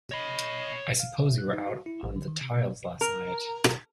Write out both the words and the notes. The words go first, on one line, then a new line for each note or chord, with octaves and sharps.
I suppose you were out on the tiles last night?
C#5 D#5 B5
F5
E5
F#6
D#4
F#4
E4
A1
D3
D#3
C3
A#3
A#4